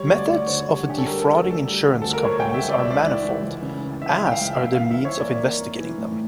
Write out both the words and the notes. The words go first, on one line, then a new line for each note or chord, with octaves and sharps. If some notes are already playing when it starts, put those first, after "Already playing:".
Methods of defrauding insurance companies are manifold, as are the means of investigating them.
Already playing: G3 C#5
D2
D5
D2
D3 C#5
G3
D4 G4
A4
G3 A#4
G3 A4
A4
D2
A4
G3
D2
D2 A4
A#4
C#2 C#5
C#2 G5
E5
C#2
D5
C#2 E5
D5
E3
E3
C#2
C#3
E3
E3 E5
C#2
G5
F5
C#2
E5
A#3 F5
E3 F5
E5
E3
C#5
A#3 D5
A#3
A#3
E3
A2